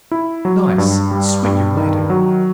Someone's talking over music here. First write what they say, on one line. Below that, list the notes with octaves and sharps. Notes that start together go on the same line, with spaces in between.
"Nice, sweet young lady."
E4
F#3
G2
G3
G2
D#3
F#3